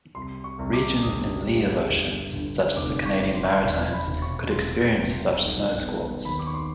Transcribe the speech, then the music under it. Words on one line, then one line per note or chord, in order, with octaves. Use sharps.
Regions in lee of oceans, such as the Canadian Maritimes could experience such snowsqualls.
C2 C6
C#6
C2
D6
G1 D#6
G3
G1
G1
F1 D6
C#6
F1
C6
C#6
C6
E1 C6
B5
E1
C#6
C2 C6
C2
B1
B3
D#2 B5
D6
C#6
C6